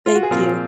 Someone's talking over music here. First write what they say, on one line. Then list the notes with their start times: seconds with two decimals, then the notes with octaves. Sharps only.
Thank you.
0.06 F4
0.15 F#4
0.23 G#4
0.31 A#2 F3 C4 A#4